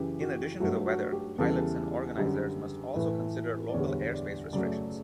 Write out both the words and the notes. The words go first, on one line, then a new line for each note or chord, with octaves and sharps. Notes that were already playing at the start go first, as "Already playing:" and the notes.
In addition to the weather, pilots and organizers must also consider local airspace restrictions.
Already playing: F#2 C#3 E3 G4
F#4
G2 F#3 A3 F#4
F#4
G4
E2 C#3 E3 G3 A4
F#2 D3 G3
A2 E3 A3 B4
D5
E2 D3 G3 C#5
D5
F#2 C#3 F#3 A3 D5